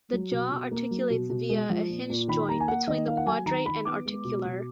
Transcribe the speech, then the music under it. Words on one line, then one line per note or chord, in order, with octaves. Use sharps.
The jaw articulates via a hinge joint between the quadrate and articular.
F#3
B2
B2
A#3
F#3
B2
B2
G#3
F3
A#2
A#2
D#3 B5
A#3 A#5
G#5
A#3 F#5
D#3 D#5
A#3 F5
F#5
F#3 G#5
D#3 A#5
D#3 B5
B3 D6
G#3
B2
B2